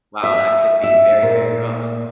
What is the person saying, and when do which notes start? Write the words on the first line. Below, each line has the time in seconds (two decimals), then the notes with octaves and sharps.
wow, that could be very, very rough.
0.23 E5
0.84 E5
1.22 A#2